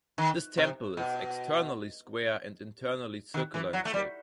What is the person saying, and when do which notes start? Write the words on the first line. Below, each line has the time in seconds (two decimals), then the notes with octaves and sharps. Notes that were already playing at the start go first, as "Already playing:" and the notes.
This temple is externally square and internally circular in shape.
0.18 D#3
0.57 C3
0.97 B2
3.34 D#3
3.54 E3
3.73 F#3
3.85 A3
3.94 G3